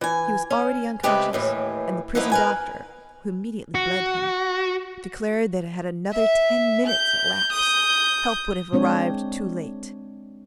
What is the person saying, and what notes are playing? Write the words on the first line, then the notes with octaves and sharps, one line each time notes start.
He was already unconscious, and the prison doctor, who immediately bled him, declared that had another ten minutes elapsed, help would have arrived too late.
E3 G#5
C#4
C#3 G#3 A3 C4 G4 B4
D#2 A2 E3
E3 F3 B3 D#4 E4
A#4 B4 G#5
F#4
E5
G6
D#6 G6
G#3 C4 D4 C#5